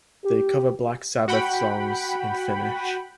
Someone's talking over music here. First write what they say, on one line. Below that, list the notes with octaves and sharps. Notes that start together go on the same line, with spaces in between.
They cover Black Sabbath songs in Finnish.
G4
F#4 F#5 G5 B5